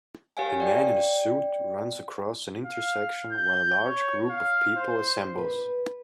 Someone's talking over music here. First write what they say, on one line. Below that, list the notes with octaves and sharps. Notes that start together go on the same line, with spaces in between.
A man in a suit runs across an intersection while a large group of people assembles.
G4 A#4 C#5 F5 F#5 G#5
D5 G5
F5
G6
C#5
F5
C5
B4